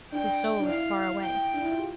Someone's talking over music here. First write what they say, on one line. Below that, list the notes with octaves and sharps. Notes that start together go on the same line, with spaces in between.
His soul is far away.
D4 G5
D4
E4 F5
G5
D4
E4
F4
G4